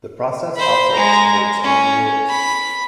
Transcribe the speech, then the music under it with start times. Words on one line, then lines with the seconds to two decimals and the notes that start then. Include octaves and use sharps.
The process operates under its own rules.
0.56 C5 B5
0.92 G#3 A#5
1.63 C#4
2.29 B5